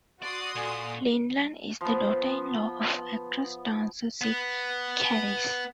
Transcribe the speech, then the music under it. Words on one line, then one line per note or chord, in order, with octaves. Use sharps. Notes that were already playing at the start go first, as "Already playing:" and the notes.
Lindeland is the daughter-in-law of actress-dancer Cyd Charisse.
F#4 D5 C6 D#6
A#2 A4 D5 G#5
F3 B3
B3